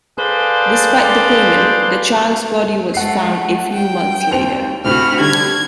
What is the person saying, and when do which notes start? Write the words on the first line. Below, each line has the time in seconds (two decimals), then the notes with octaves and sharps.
Despite the payment, the child's body was found a few months later.
0.19 G#4 A4 B4 C5 D5 F5
2.94 G#3 A3 F#5 C7
3.72 G5
4.31 D#2 C4 F7
4.84 D2 A2 C3 F#4 B5 F6
5.19 D3 G3 G#6